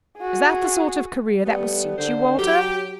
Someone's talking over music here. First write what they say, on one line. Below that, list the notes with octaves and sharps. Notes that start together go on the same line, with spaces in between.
Is that the sort of career that will suit you, Walter?
F#4 G#4
G3 A3 B3
D3 D#3 C5
F#3 G4